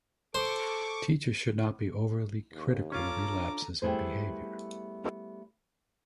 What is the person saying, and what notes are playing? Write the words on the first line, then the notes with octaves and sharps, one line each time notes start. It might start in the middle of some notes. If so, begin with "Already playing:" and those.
Teachers should not be overly critical of relapses in behaviour.
A4 C5 C#6 D6
D#2
C#4 F4 A4 F5 A#5 D6
D4
G3 A3 B3 E4 G#4 C5